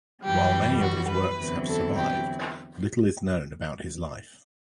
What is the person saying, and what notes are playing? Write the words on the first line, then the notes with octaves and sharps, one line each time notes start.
While many of his works have survived, little is known about his life.
F#2 E3 G3 G4
F#4
B4
E2 D3 F#3 C4 E4
A4
G4